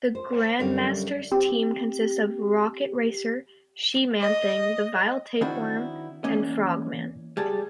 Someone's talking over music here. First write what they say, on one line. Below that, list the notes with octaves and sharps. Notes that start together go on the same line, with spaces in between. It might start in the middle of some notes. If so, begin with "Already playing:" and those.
The Grandmaster's team consists of Rocket Racer, She-Man-Thing, The Vile Tapeworm, and Frog-Man.
C5
F#2 D3 G3 C#5 F5
C4 G4
D#5
D#3 C4 D4 E4 F#4
E2 A#3 C#4 D#5
G3 G#4 A5